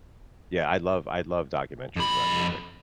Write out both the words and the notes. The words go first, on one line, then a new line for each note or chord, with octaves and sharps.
Yeah, I love I love documentaries about music.
F2 B5